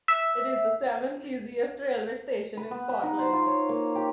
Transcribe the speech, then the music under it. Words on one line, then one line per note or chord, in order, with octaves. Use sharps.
It is the seventh busiest railway station in Scotland.
E5
B4
B3
B5
D#4
C5
F4
C#5
A#3
G4